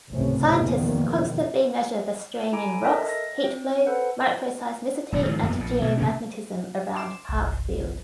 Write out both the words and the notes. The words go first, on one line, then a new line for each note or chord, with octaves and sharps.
Scientists constantly measure the strain in rocks, heat flow, microseismicity, and geomagnetism around Parkfield.
G#1 C#2 A2 C3 E3 C#4
E2 B2 D#3 F3 A#3
E4 A4 G#5 A#5 D6 D7
A4 A#4 D#5 E5 A5 E6
A#6
C4 G5
A4 B4 C5 F#5
D#1 B1 A#2
G#2 D#3 F3
F2 A#2 B3
A#1 A#2
D2 B2
B2 A#3 C#4
C6 D6 E7
G1 C2